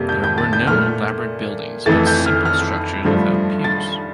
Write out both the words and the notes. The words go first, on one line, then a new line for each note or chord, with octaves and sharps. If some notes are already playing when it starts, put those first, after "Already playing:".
These were no elaborate buildings but simple structures without pews.
Already playing: F2 C3 G3 A#3
G6
G6
A6
G6
A#2 A3 F6
F2 E3 A3 A6
G6
F6
F6
G2 F3 A3
A6